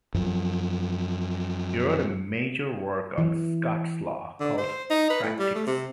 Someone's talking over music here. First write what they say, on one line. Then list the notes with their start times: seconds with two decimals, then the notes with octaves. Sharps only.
He wrote a major work on Scots law, called "Practicks".
0.14 F#2 F3
3.18 E3
4.40 D3
4.58 C5
4.90 D#4
5.10 B4
5.23 A2
5.39 G3
5.55 A3
5.67 C3